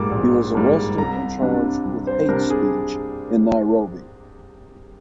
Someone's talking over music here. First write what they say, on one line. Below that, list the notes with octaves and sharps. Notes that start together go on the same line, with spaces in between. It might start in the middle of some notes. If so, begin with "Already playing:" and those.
He was arrested and charged with hate speech in Nairobi.
Already playing: A#1 G#2 G3 A#3 D6
A#1
G#2 G3 A#3
C2 A#5
C3 G3 D4
C2
C5
C3 G3 D4 A#4
G#4